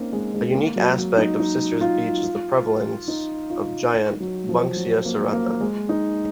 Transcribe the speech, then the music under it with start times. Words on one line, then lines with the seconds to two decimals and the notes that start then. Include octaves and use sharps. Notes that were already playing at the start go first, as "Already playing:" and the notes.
A unique aspect of Sisters Beach is the prevalence of giant Banksia serrata.
Already playing: A#3 C4 C#4 D#4
0.13 G#3
0.34 G#3
0.55 A#3
0.76 F#3
0.96 F#3
1.18 D#4
1.39 D#4
1.81 F4
3.08 D#4
3.50 F4
3.93 D#4
4.20 F#3
4.49 F3
4.76 F#3
5.05 A#3
5.33 A#3
5.61 G#3
5.89 D#4